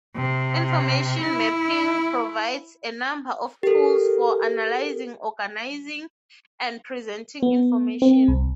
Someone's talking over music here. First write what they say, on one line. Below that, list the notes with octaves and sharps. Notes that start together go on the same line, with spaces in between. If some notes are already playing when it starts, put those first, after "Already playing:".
Information mapping provides a number of tools for analyzing, organizing and presenting information.
C3
E4
G4 A4 A#4
B3
C4
C2